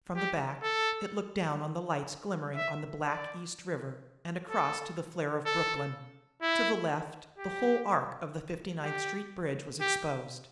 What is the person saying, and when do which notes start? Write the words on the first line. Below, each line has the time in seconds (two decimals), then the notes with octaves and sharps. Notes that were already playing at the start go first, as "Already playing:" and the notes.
From the back it looked down on the lights glimmering on the black East River and across to the flare of Brooklyn; to the left the whole arc of the Fifty-ninth Street Bridge was exposed.
0.16 G4
0.63 A4
2.56 E5
3.04 D5
4.50 A4
5.46 A4
6.42 E4
7.39 G4
8.83 G4
9.81 G4